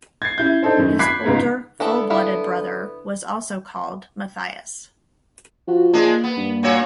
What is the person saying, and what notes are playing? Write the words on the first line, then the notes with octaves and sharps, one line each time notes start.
His older full-blooded brother was also called Matthias.
G#6 A6 C7
C#4 E4 G6
D4 D#4 A4 C5
F#2 D#3
B5 D6 F#6 G#6 B6 C7
C#2 G#2 B3
D3 B3 E4 A4
B3 E4 F5
F3 F#4
G#3 A#3 D4
B3
G2
A#2 F#4 C#5